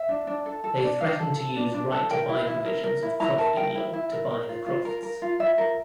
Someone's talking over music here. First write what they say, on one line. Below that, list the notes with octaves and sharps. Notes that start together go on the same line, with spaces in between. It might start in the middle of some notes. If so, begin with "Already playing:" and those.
They threatened to use right-to-buy provisions of crofting law to buy the crofts.
Already playing: E5
D4
D4
A4
A4
D4
D4 F5
A4
A4
D4
D4
A4
A#4 G5
E4
E4
A#4
A#4
E4
E4 A#5
A#4 A5
A#4 G5
E4
E4
A#4
A#4
F4
F4
A#4
A#4
F4
F4 E5
A#4